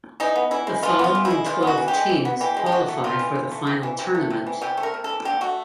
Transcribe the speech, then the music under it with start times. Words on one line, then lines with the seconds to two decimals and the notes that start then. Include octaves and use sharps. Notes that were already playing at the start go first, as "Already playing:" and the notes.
The following twelve teams qualify for the final tournament.
0.20 E3 D#4
0.36 B3
0.51 E3 E4
0.67 G#3
0.83 E3 F4
0.99 B3 F4
1.15 E3
1.25 E4
1.31 G#3
1.46 E3 F4
1.62 B3 F#4
1.78 E3
1.88 G4
1.93 G#3
2.09 E3
2.25 B3
2.41 E3 G4
2.57 G#3
2.66 G4
2.72 C3 F#4
2.88 A3
3.04 C3 F4
3.19 E3
3.35 C3
3.51 A3
3.67 C3
3.83 E3
3.99 C3
4.15 A3
4.30 C3
4.46 E3
4.62 C3 G4
4.77 A3
4.83 A#4
4.94 C3
5.04 E3 A4
5.25 D3 G4
5.41 A3 F#4